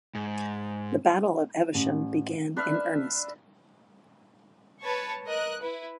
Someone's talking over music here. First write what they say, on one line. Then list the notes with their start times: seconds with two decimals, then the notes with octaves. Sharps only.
The Battle of Evesham began in earnest.
0.15 G#2
1.74 A1
2.57 D4 B4 E5 F5
4.82 B4 C#5 A5 C#6
5.26 A#4 D#5 F#6
5.61 E4 B4